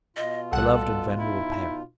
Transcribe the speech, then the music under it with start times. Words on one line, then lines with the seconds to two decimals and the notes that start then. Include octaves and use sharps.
Beloved and venerable parent!
0.17 B2 F4 D#5
0.52 C2 G3 A4 F#5 F#6
1.19 D#4 E4